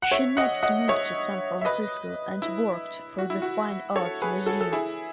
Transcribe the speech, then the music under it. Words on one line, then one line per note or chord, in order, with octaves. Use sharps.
She next moved to San Francisco and worked for the Fine Arts Museums.
F#5
C#5 E5
D#5 F#5
D#5 F#5
C#5 E5
E5
B4 D#5
E4
F#4
E4
F#4
A4 C#5
G#4 B4
F#4 A4
A4
E4 G#4